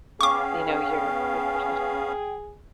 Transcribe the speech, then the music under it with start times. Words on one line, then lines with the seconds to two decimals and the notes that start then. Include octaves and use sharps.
you know, your your traditions.
0.21 B3 C#4 G#4 F5 G5 C#6 D6